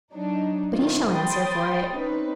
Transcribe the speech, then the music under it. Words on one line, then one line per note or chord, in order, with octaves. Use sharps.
'But he shall answer for it.
F#3 D4 D#4
B2 D#3 E3 C4 D#4 F4
C5 G5 B5 C6 D#6 A6
C4 C#4 D#4 B4